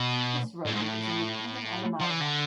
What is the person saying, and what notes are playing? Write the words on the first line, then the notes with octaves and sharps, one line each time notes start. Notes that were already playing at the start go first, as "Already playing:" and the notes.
This rodent is in the Kingdom Animalia.
Already playing: B2
A2
G#2
A2
F3
E3
D3